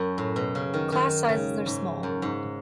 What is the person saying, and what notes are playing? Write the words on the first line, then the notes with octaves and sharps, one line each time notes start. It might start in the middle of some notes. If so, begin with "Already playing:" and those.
Class sizes are small.
Already playing: F#2
A2
B2
C#3
D#3
D#3
C#3
G#2
F#2
G#2